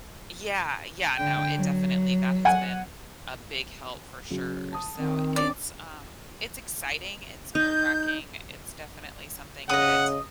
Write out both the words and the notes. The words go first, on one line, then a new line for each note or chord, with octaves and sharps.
Yeah, yeah, no, it definitely that has been a big help for sure, so it's um, it's exciting, it's nerve racking, it's definitely something that,
D3 G5
F#3
F#5 G#5
C#3 F#3
A5 D#6
D#3 C4
C#4 D4 D5
D#4 G6
C#3 D#5 F#5 D#6